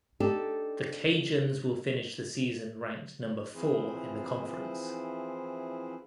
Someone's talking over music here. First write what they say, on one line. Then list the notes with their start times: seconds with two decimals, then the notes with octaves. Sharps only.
The Cajuns will finish the season ranked number four in the conference.
0.20 D4 D#4 G4 A4
3.54 E3 F3 C4 E4 G#4 C5